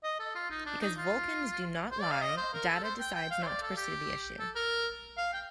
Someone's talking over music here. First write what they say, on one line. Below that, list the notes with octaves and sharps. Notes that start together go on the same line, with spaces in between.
Because Vulcans do not lie, Data decides not to pursue the issue.
D#5
A4
F4
D#4
D4
D#4
F4
C5
D5
F5
D#5
C5
A#4
A4
C5
G5
G5
F5
C5
D5
A4
G4
A4
A#4
F5
G5